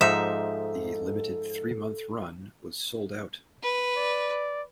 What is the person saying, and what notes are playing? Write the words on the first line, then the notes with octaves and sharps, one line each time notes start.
The limited, three-month run was sold out.
G#2 F3 D#4 A4 E5
B4
D5